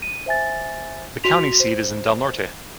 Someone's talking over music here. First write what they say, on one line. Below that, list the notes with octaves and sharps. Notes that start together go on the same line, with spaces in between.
The county seat is Del Norte.
D#7
C5 E5 G#5 A6
F#4 C6 B6 F7
C5